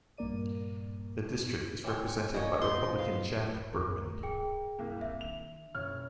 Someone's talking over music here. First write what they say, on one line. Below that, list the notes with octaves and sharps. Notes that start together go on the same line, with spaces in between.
The district is represented by Republican Jack Bergman.
A#1 G2 A#3 A#4 D5 D#7
E3 C4 C#5 C6
C#3 G3 A#3 C#5 D#5
F3 B3 C4 D#4 B4 C6
F5
A1 F2 A#4
G#4 G5
F#1 C2 A#3
D#1 G3 E5
D#3 D4 F7
F#1 F#2 B2 C#5 F6